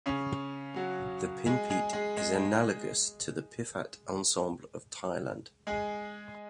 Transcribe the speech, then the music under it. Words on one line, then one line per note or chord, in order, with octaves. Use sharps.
The pinpeat is analogous to the piphat ensemble of Thailand.
C#3 C#4
F#3 F#4
G#3 G#4
G#3 G#4
G#3 G#4
G#3 G#4
G#3 G#4